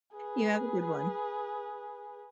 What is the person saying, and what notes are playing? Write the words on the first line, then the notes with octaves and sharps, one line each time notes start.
You have a good one.
G#4 B4